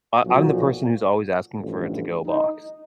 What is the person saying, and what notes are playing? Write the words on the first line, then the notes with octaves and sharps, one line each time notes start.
I I'm the person who's always asking for a to-go box.
B1 A#2 F3 F#4
A1 G2 D3 F3
E4
D#4